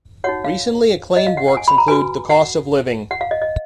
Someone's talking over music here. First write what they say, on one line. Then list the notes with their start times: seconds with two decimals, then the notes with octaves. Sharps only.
Recently acclaimed works include "The Cost of Living".
0.24 D#4 F#4 C#5 F#5
0.45 F5
1.16 D#5
1.27 F5
1.37 F#5
1.48 F#5
1.57 G#5
1.68 B5
1.78 A#5
1.88 F#4 B4 G#5
2.30 F#5
3.11 F#5
3.21 F5
3.31 D#5
3.42 D#5